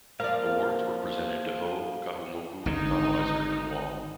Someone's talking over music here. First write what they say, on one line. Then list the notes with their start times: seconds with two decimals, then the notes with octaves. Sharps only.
Awards were presented to Ho, Kahumoku, Konwiser and Wong.
0.20 F3 A#3 D5 F5
2.66 G#1 G#2 D3 D#4